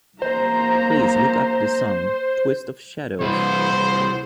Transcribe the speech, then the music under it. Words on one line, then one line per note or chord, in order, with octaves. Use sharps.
Please look up the song, Twist of shadows.
A#3 C5 A#5
C2 B4 C5